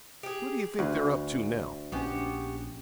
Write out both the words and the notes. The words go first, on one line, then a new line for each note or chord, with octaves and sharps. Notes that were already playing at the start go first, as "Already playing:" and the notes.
'What do you think they're up to now?'
G4 G#4
D2 B4
A#1 B3 C#4 F#4 G4